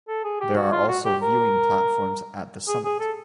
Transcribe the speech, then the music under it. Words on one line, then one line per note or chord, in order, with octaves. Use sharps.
There are also viewing platforms at the summit.
A4
G#4
G4
F#4
F4
F#4
G4
A#4
G#4
G#4
A4